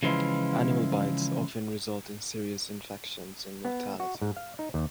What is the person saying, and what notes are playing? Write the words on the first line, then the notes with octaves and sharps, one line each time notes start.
Animal bites often result in serious infections and mortality.
C#3 E3 F3 G#3 E4 F4
B3
F#4
G#2
F5
D#4
D#2